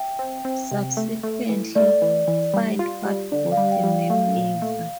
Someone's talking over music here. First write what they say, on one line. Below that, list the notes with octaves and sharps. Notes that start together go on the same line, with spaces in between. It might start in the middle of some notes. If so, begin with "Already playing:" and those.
Subsequently, FindWhat bought the name Miva.
Already playing: E5 G5
C4
C4
C3
A3
A3
E3
A3 D5
E3
E3
G3
F4
G3
D3 D5
F5
G3
G5
G3
A3 F5
A#2
A3